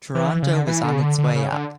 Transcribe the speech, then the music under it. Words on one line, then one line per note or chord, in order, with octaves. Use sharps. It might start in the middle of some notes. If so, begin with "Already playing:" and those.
Toronto was on its way up.
E3
C#3
D3
E3
D3
C#3
D3
D3
C#3
D3